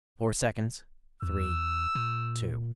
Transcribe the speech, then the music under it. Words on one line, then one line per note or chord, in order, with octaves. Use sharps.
Four seconds ... three ... two....
E2 E6
A#2